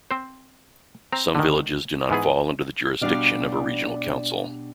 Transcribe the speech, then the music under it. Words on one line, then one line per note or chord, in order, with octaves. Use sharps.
Some villages do not fall under the jurisdiction of a regional council.
C4 C5
C4 A#5
D3 D#3
G#2 E3 B3 G#4
B2 G3 D4 D5 F5